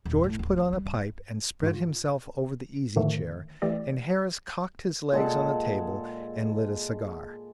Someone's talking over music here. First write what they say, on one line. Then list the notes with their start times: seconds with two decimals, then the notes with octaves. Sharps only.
George put on a pipe and spread himself over the easy-chair, and Harris cocked his legs on the table and lit a cigar.
0.05 D#1
0.24 A2
0.39 D1
0.57 D#2 C#4
0.73 G3
0.86 F#1
1.63 G#2 F4
2.96 A2 D3 D#3 F3 A3
3.62 E3 A3 G4 D5
5.12 A#2 G#3 A4 F#5